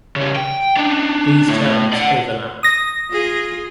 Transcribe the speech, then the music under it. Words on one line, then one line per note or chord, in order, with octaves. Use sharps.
These terms overlapped.
C#3 G3
G5
D4 D#4
A2 A3
D5 F#5
D#6 A#6
F4 G#4